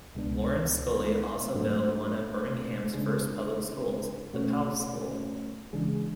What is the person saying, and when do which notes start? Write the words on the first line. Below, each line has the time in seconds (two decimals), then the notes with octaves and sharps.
Lawrence Scully also built one of Birmingham's first public schools, the Powell School.
0.14 C#2 B2 G#3 B3 D4
1.55 G#2 F#3 A3 D4 F#4
2.93 C#3 G#3 D4 G#4
4.33 B2 A3 C#4 F#4 C#5
5.73 C#3 E3 G#3 D4 G#4